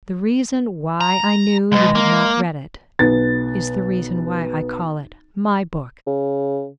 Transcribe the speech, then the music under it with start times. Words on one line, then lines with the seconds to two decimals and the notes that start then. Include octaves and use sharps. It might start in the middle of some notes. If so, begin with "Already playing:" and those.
The reason why I knew you had not read it is the reason why I call it "my" book.
1.01 A#5
1.72 D#2 B2 G#3
1.95 A#3
2.99 B1 B3 A6
6.07 C#3